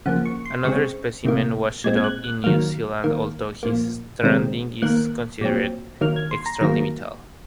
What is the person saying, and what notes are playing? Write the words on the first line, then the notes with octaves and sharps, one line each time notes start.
Another specimen washed up in New Zealand, although this stranding is considered extralimital.
C#3 F3 A#3 F#5
C#6
C6
C#3 G#3 C4 C#6
C3 D#3 A#3
A#2 G#3 C4 G#6
G#6
F#6
F#6
D#3 F#3 A#3 F6
D#3 A#3
A#2 F3 A#3
C3 D#3 G#3 C4
D#3 A#3 F#6
A#2 F#3 C4
D#3 F#3 A#3 F6
G#6
C6
A#5
D#3 F#3 A#3 A#5